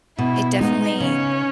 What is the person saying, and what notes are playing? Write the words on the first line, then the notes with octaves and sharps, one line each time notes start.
it definitely,
B2 E4
G#3 B3 D#4
C#3 C#4